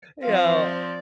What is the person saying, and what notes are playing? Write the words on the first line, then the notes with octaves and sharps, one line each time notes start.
you know,
F3 C4 F5
F5
F5
D5